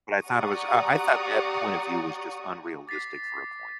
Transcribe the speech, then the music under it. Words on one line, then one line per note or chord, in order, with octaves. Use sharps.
But I thought it was I I thought that point of view was just unrealistic for a point.
G4 D5 F#5 A#5 C#6 D#6
D6 A6 B6 C7